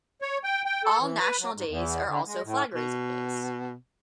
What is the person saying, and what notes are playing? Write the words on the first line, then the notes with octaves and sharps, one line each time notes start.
All National Days are also Flag Raising Days.
C#5
G5
G5
A4
E3
B4
F#3
G#2
E2
D3
G#3
A2
B2